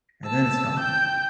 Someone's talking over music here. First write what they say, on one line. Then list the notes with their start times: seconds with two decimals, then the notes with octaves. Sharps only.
and then it's gone,
0.25 A5 E6
0.79 G5 G6